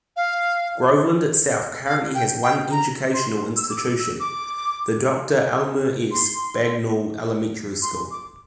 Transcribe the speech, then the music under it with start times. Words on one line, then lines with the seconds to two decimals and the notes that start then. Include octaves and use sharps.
Groveland itself currently has one educational institution, the Doctor Elmer S. Bagnall Elementary School.
0.16 F5
1.86 F5
2.15 G5
2.43 G5
2.71 A#5
3.14 C6
3.56 E6
3.70 D6
3.78 E6
3.99 E6
4.20 D6
6.12 C6
7.82 C6
8.11 D6